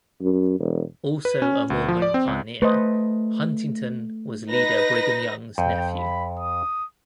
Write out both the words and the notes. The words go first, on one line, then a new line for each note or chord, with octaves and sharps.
Also a Mormon pioneer, Huntington was leader Brigham Young's nephew.
F#2
E1
B4
C#4
D2
F3
D5
C4
C#2
A3 B4 C5 D#5
D#4 B4 A#6
F2 G5
B5
D#6